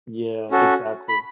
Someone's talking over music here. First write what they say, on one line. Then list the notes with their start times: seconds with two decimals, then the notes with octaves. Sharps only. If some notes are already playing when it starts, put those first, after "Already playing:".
Yeah, exactly.
0.51 C#4 F#4 A4
1.09 B5